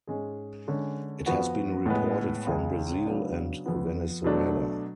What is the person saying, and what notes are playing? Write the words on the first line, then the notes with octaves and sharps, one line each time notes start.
It has been reported from Brazil and Venezuela.
G#2 G#3 C#4 G#4
D3 G#3 C#4
F2 F3 B3 F#4
A2 G#3 B3
C#2 C#3 G#3
C#3 F#3 B3 D4
F2 F3 B3
B2 F#3 A3 D4